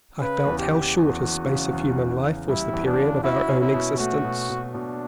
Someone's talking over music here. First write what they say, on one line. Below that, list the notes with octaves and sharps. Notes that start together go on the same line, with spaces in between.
I felt how short a space of human life was the period of our own existence.
C#3 B4
E2
G4
E2
E2 F#4
E2
C#3
E2
E2
C#3
G3 E4
E2
D4
C#3
E4 F#4
C#4
E4
B2
A3 F#4
B2
B2
B2 D4